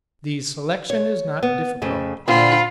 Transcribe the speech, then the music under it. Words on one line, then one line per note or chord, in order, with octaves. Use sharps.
The selection is not difficult.
C#5
B3
F2 C#3 A3
A#2 D3 C4 F4 B5